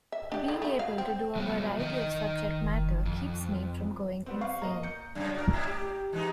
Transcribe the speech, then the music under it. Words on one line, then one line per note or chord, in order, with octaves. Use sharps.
Being able to do a variety of subject matter keeps me from going insane.
E5
D4 G4
D3 D#3
A3 E4
F#4 F5
C4
F#3 G3 B3
D#3 D#5 G5
F2
G3 B3 C4
F5 C#6
A#3 D#5 A#5
G6 C#7
F#2 C#3
F#4 A#4
G#2 E4
G4
E3 G#3 D#4